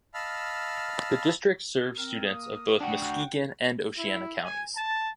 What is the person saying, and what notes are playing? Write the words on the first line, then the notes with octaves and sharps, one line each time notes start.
The district serves students of both Muskegon and Oceana counties.
D#5 F5 A5 B5 E6 F6
C4 A#4
A#3 A#4 D#6
D4 F#4 F#5 G5
E4
G#5
A5